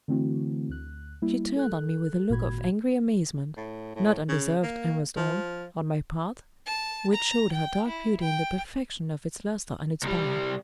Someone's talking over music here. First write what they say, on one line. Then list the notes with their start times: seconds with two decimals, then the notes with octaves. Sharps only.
She turned on me with a look of angry amazement--not undeserved, I must own, on my part--which showed her dark beauty in the perfection of its luster and its power.
0.08 D3 E3 A3 C4 E4 F#4
0.69 D2 F#6
1.22 G3 A#3 E4
1.56 A4 F#6
2.30 G#1 A#2 F#4 B5 G#6
3.57 A2
3.96 A2
4.28 C#3
4.63 A#3
5.16 F3
6.66 A5
7.13 A#5
7.52 G5
7.88 E4
8.20 G5
10.03 C2 G3